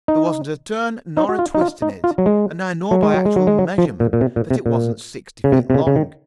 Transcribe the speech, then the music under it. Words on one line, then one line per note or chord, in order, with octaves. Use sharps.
There wasn't a turn nor a twist in it, and I know by actual measurement that it wasn't sixty feet long.
D#4
D#4
F#4
F4
D#4
F4
D#4
F4
F#3
G#3
F#3
G#3
F#3
G#3
F#3
G#3
F#3
F3
A#2
A#2
C3
A#2
C3
A#2
C#3
C3
C3
C#3
C#3
D#3